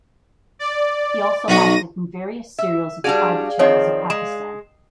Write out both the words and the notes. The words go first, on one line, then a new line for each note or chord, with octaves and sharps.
He also acted in various serials of private channels of Pakistan.
D5
B1 D#4 F#4 A#6 D#7
E5
G3 D4 F#4 G#4 D5 F5
D#3 F3 C4 C#5 D#5
G#3 E7